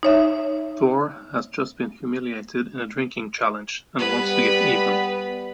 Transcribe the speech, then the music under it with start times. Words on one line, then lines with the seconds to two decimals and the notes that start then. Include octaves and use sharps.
Thor has just been humiliated in a drinking challenge and wants to get even.
0.03 D#4 C#5 E5
3.99 G3 B3 B4